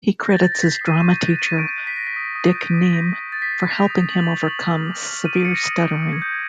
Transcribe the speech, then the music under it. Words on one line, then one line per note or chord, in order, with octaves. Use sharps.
He credits his drama teacher, Dick Nieme, for helping him overcome severe stuttering.
G6 A#6
A6
G6 A6
A#6
G6 B6
C7
D#6
D#7
C#6 E7
F#6
C#6 D#7
C#6 D7
F#6
B6
F#6 A#6
B6
D#6
D#6
G6
D#6
G6 A#6
D#6
D#6 A6
B6
D#6 C7
G6 F7
D#6
C#6 F#7
C#6
C#6 F#7
F6
D6
F6
F6 D#7
D7
D6 C#7
A#6
D#6
G6
D#6
G#6
D#6 G6
G#6